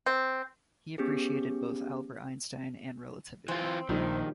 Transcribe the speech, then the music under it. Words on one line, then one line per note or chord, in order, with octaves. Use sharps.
He appreciated both Albert Einstein and relativity.
C4
B3 C#4 G4 G#4
E3 C4 F4
A#1 D#3 F3 G3 D#4